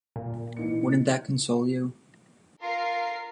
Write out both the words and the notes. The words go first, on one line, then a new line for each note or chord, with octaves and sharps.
Wouldn't that console you?
A#2
E3 D#4 C#7
F4 A#4 C7